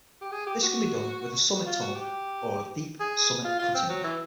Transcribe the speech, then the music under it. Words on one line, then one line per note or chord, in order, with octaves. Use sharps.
This can be done with a summit tunnel or a deep summit cutting.
G4
G#4
G4
F#4
F#4
F4
F#4
G4
G#4
F4
F4
C4
F#3
E3